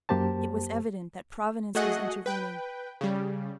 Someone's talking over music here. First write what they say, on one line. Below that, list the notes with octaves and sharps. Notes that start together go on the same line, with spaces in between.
It was evident that Providence was intervening.
F#2 A#3 G4 C5 A5
A3 F#4 G#4 D#5 F#5
B4 G5
C#3 G3